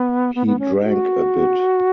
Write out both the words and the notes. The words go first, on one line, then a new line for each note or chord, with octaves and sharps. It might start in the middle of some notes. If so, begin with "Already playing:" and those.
He drank a bit.
Already playing: B3
B3
B3
C#4
F#4